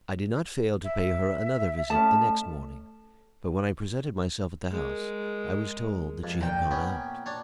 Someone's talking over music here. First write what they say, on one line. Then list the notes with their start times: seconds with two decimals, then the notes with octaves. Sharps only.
I did not fail to pay her another visit the next morning, but when I presented myself at the house I was told that she had gone out.
0.84 E5
1.90 A3 C#4 D#4 A4 A5
4.71 G#3 A#4
6.24 F2
6.41 A#2 G5
6.71 B3 C#4
7.26 D4 C#5